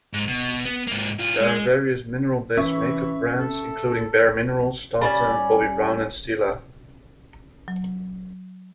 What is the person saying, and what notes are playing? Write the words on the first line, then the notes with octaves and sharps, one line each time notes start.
There are various mineral-based makeup brands, including: Bare Minerals, Tarte, Bobbi Brown, and Stila.
G#2
B2
B3
G#2 A#3
A2 F4
G#3
E3 C#4 E5 C#6
A4
G3 C#4 D5
F#3